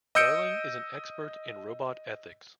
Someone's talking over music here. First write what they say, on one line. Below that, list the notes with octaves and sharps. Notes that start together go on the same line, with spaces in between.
Darling is an expert in robot ethics.
D#5 D#6 E6 G6 C#7 D7